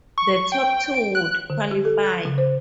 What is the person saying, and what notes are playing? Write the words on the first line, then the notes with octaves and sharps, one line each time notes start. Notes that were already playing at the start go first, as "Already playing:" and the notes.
The top two would qualify.
C#6
G5
D7
F#6
D3
G4
A4
F#6
C#3
C5